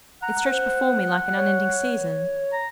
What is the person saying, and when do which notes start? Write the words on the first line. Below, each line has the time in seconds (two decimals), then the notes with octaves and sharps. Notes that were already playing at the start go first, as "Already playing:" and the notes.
It stretched before me like an unending season.
0.22 F#5 A#5
0.46 C5
1.37 C#5
2.52 A#5